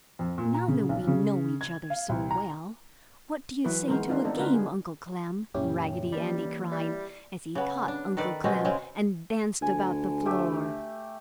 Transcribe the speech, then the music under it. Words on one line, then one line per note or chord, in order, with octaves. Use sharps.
"Now that we know each other so well, what do you say to a game, Uncle Clem?" Raggedy Andy cried, as he caught Uncle Clem and danced about the floor.
F2
A#2
A#5
C#3
B1
C#3
G#6
F5
C2
A#5
E3 F#3 E4 B4
D#3 E3 G#3 B3 A#4 C5
D#3 D4 D#4 F4 B4
B3 C4 D4 D#4 A4
D3 A3 D#4 F4 A#4 B4
G#4
F#2 A#2 C#3 C#4 E4 G4
E3 G3 A#3
G3 E4
C#3 B3
D4
D#3 A4 B4 D5
B2 G#3 C4 C#4
C#3 G#3 C4
D2 G#5
A3 G4 E5